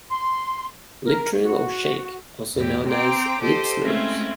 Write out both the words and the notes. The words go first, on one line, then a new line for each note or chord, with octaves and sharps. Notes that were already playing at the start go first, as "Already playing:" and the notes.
Lip-Trill or Shake: Also known as "lip-slurs".
C6
A#4
F#4
E2 A2 G4
C4 C5 G5 A#5 D6
G4 A4 C5 D#5
G#3 A3 C4 C#4 E4 F4